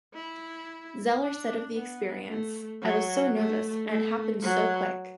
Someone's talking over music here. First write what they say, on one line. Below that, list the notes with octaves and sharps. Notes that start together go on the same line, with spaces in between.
Zellar said of the experience: I was so nervous, and it happened so quick.
E4
D4
B3
A3
F#3
A3
A3
F#3